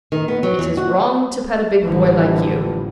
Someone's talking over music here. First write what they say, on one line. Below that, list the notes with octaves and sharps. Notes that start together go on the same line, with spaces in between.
It is wrong to pet a big boy like you.
D#3
B3
F#3
E2
F#4
A1 A#2 D3 E3 F3 G3